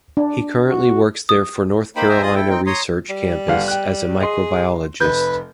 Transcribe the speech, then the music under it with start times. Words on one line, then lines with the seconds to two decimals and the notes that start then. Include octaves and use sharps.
He currently works there for North Carolina Research Campus as a microbiologist.
0.17 D4
0.70 F#4
1.29 D#6
1.96 A#3 D#4 C5 G5 B5
2.09 C5 E5 G5 G#5 A#5
2.22 F4 G#4 D#5 D#6
2.35 E4 A4 G5
2.49 C4 D#4 G5
2.66 C#5 A#5 C6 D#6
3.09 G3
3.48 G1 F5 F#5
3.68 G5 F#6
4.21 G#4 D#5 C6
5.00 F1 B4 G6